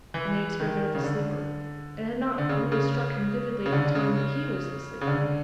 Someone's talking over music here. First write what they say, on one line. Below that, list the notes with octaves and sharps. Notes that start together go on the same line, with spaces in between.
And they had spoken of the Sleeper; it had not really struck him vividly at the time that he was the Sleeper.
E3
D#3
C#3
D3
D3
C#3
C#3
C#3
D3
C#3
C#3
D3